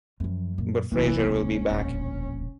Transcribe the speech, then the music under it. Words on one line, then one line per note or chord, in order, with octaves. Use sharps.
But Fraizer will be back.
F#2 F3 C#4
A#2
D1 B1 C3 E3 A#3
C#4
E1 A#1